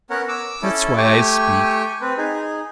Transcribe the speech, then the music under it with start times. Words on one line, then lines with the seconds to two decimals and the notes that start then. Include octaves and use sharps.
That's why I speak.
0.10 B3 C#4 A#4 C#5 F#5
0.28 D6 E6
0.62 C#4 E4 A4
0.97 A3 G4 G5 G#5 C#6
2.02 C4 B4
2.18 D#4 G#4